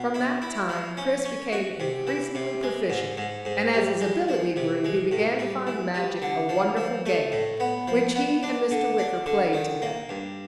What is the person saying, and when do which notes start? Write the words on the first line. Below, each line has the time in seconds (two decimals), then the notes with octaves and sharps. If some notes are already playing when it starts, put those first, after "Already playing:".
From that time, Chris became increasingly proficient, and as his ability grew he began to find magic a wonderful game, which he and Mr. Wicker played together.
Already playing: B2
0.14 E4
0.42 E4
0.69 F3
0.97 C#4
1.24 C#4
1.53 F#4
1.80 C3
2.07 E3
2.35 C3
2.63 G#3
2.90 G#2
3.17 G#2
3.45 G#2
3.74 G3
4.01 G#3
4.29 F3
4.56 C3
4.84 G#3
5.11 A2
5.39 G3
5.67 E3
5.94 G3
6.22 D3
6.49 F3
6.77 F3
7.06 A3
7.32 A2
7.60 B3
7.88 F3
8.16 B3
8.43 D4
8.71 D3
8.98 D4
9.26 D3
9.53 D#3
9.82 A#3
10.09 G2